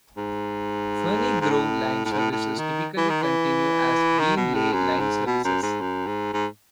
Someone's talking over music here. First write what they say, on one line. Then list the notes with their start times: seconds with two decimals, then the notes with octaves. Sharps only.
Ferny Grove line services typically continue as Beenleigh line services.
0.17 G#2
1.41 G#2
1.51 A2
2.05 A2
2.12 G#2
2.19 A2
2.32 A2
2.58 D#3
2.97 E3
3.10 D#3
3.22 E3
4.19 D#3
4.37 B2
4.55 A2
4.73 F#2
4.99 G#2
5.27 B2
5.45 F#2
5.62 G#2
5.80 F#2
6.07 G#2
6.34 G#2